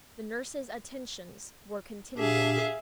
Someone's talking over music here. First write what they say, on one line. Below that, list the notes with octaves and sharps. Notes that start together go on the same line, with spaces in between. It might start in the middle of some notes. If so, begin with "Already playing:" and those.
The nurses' attentions were continual.
A#2 D4 G4 G#4 E5 F5